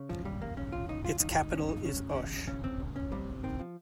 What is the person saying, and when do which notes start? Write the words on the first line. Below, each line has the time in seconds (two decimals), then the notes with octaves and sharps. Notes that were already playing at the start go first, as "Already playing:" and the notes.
Its capital is Osh.
Already playing: C#3
0.09 F3
0.25 D#2 G3
0.42 A#3
0.57 C#3 C#4
0.72 F4
0.89 C#2 D#4
1.04 F4
1.20 D#3 D#4
1.31 F4
1.37 D#4
1.52 G2 C#4
1.69 D#4
1.85 C#3 C#4
2.16 D#2 C#4
2.47 C#3 C#4
2.64 C4
2.80 C#2
2.96 C#4
3.12 C3 G3
3.43 D#3 C4
3.59 F3